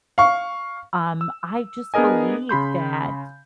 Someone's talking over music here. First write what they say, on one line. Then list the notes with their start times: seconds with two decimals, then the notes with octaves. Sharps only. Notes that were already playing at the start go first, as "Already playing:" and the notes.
Um, I just believe that
0.18 F5 C#6
1.21 E6
1.94 B3 D4 G#4 A#4 D#5 G#5
2.49 C#3 B5 C6 G6